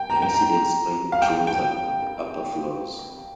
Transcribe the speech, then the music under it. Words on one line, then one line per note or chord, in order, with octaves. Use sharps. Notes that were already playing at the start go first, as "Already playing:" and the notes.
The residents' private rooms are on the upper floors.
Already playing: G5
A#5
G5
A#5
F5
G5
G5